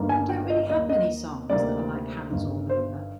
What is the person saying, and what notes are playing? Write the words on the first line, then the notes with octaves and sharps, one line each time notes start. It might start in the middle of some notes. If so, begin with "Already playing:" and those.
We don't really have many songs that are like "Hands All Over".
Already playing: G1 G2 D#3 A#3
G#5
G5
D#5
D#2 D#3 A#3 D#5
D#5
D2 C3 D#3 G3 A#3 D5
G1 G2 D#3
C5